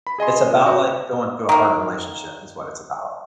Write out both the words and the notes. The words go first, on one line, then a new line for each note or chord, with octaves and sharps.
it's about, like, going through a hard relationship, is what it's about.
B5
G#4 D#5 G#5 C6
A#2
F#4 G5
D#3 A#3